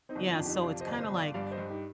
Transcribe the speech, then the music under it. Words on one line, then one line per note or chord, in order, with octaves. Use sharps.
Yeah, so it's kinda like
C4 D#4
G1
D4 F4
F2
D#4 G4
C3 D5 F5
C5 D#5
G1
C5 D#5
G1
D5 F5
G2 D5 F5
C5 D#5
G2
D#4 G4